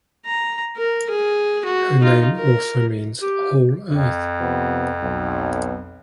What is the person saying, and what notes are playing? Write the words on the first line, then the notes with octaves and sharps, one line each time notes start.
Her name also means "Whole Earth".
A#5
A#4
G#4
F#4
D#4 F4
A#4
G4
F2
C3 F3 B3
B1